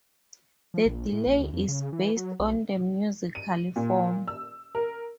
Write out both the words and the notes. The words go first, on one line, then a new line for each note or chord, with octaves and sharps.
The delay is based on the musical form.
F3
A#1
A2
A#1
D2
F2
C#3
E3
F#3
B1
D#7
A#2
E6
A#4